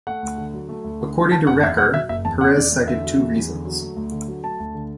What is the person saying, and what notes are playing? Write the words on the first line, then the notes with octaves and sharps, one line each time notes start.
According to Reker, Perez cited two reasons.
A3 F#5
D2
D3
F#3
A3
D2
D3
F#3
F#3 A5
F#1 F#5
E2 E5
B2 F#5
F#3 E5
F#1 E5
E2 A5
B2 F#5
E2 D5
E2
D3 E5
F#3
E2
E2
D3
F#3
A3
D2
D3
F#3
A3 A5
D2
D3